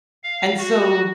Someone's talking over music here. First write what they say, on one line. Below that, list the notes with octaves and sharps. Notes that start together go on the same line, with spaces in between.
And so,
F5
F#4